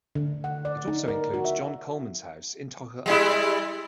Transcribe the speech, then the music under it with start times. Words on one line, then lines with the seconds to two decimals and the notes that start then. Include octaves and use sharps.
It also includes John Coleman's house in togher upper.
0.15 D3
0.44 F#5
0.65 D5
0.87 D#4
1.08 A#4
1.34 F#4
1.45 E5
3.06 G3 G#3 E4